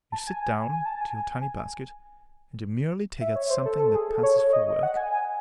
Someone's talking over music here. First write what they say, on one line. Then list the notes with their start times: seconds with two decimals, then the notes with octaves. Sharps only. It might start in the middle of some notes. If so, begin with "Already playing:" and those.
You sit down to your tiny basket, and demurely take out something that passes for work.
0.12 A5
0.27 G#5
0.42 G#5
0.72 G#5
0.86 A5
1.01 G#5
1.15 G#5
1.31 G#5
3.21 E5
3.36 C#5
3.50 C5
3.65 A4
3.79 A4
3.94 G#4
4.09 A4
4.23 C#5
4.39 C#5
4.53 D#5
4.68 D#5
4.83 F#5
4.97 G#5
5.11 G#5